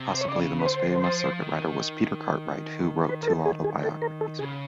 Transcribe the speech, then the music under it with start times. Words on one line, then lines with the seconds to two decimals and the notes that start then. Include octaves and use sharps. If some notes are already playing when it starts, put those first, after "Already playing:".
Possibly the most famous circuit rider was Peter Cartwright who wrote two autobiographies.
Already playing: C3
0.14 C5
0.21 C#5
0.28 C#3 D5
0.59 B4
0.66 D3 C5
1.03 F3
1.41 D#3
3.09 B4
3.23 A#4
3.27 A4
3.46 G#4
3.64 G#4
3.83 A4
4.02 A#4
4.21 A4
4.39 C#3 G#4